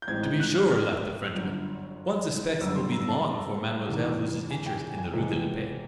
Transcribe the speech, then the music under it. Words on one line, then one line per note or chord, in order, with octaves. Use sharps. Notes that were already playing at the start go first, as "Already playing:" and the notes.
"To be sure," laughed the Frenchman; "one suspects it will be long before mademoiselle loses interest in the rue de la Paix."
G6
A1 G#2 E3 G#3 C4 G#6
G6
F#6
F6
F6
G1 F#2 D3
F#1 F#2 D3 G3 E6
C6
A#5
A5
E2 C3 D#3
G#5
G5
G#5
C#2 C3 E3 G#3 B3 G5